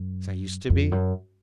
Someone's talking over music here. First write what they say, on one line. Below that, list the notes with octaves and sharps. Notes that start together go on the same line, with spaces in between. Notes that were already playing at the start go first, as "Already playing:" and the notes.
"As I used to be?"
Already playing: F#2
F2
F#2